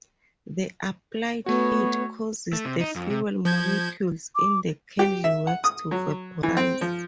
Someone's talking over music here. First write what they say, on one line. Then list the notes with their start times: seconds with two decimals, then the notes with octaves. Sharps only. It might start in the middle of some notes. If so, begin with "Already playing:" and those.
The applied heat causes the fuel molecules in the candle wax to vaporize.
1.46 A3 B3 F#4 C#5
2.53 A3
2.65 C3
2.81 D#4
2.96 F2
3.10 C3
3.45 F3 G6 G#6
4.35 D6
4.99 G4
5.24 E5
5.47 F#5
5.64 D#6
5.91 F#3
6.43 E3
6.57 C4
6.81 F3